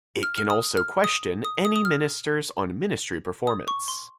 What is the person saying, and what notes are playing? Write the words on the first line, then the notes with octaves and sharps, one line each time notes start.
It can also question any ministers on ministry performance.
F6
F6
D#6
F6
D#6
D#6
D#6
D#6
F6
D#6
C#6
C6